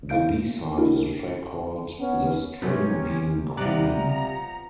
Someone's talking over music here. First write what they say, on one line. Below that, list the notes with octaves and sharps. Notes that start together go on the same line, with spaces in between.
The B-side is a track called 'The String Bean Queen'.
E4 F5 G6 D7
D4 E4 F#4 A#4
B3 C#4
C3 F#3 A3 B3 C#4
C3 F3 G3 B3 D5 A#5 F#6